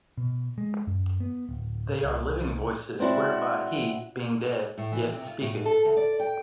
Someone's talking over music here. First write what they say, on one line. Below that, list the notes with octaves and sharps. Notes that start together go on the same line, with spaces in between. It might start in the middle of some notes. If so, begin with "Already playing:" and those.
They are living voices whereby he, being dead, yet speaketh!
B2
G#3
F#2
B3
D1
C2
G#3 C4 D4 E4 F#4
A2
E3
C3
F4
A2
G#2
A4
D2
D5
G5